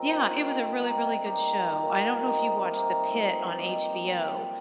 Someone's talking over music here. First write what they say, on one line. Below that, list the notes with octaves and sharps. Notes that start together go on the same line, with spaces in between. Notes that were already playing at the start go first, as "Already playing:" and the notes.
yeah, it was a really, really good show. I don't know if you watched The Pitt on HBO,
Already playing: A#2 F3 C4 D#4
A#2 F3 D#4 G4
C3 G3 D#4
D#3 A#3 G4
A#2 G3 D#4 G4
C3 D#3 G3
C3 G3 A#3 D#4
G2 F3 C4 D#4
D#3 C4 D#4 G4
A#2 G3 C4